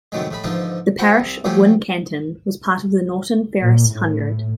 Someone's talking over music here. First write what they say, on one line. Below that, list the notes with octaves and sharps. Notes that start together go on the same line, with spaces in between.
The parish of Wincanton was part of the Norton Ferris Hundred.
F#2 A2 C3 D#3 F#3 G#3
A2 G#3 B5
G#2 D3 E3 F3 D#4 F4
C4 F4 F#4 C5 B5
C2
F3 F#3 A3 G4 G#4
A#2
A2